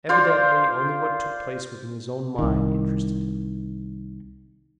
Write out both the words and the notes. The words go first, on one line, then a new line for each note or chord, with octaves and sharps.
Evidently only what took place within his own mind interested him.
F4 C5 D5
C2 D#3